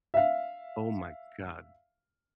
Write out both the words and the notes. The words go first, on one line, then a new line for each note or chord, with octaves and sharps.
Oh, my god.
E5 F5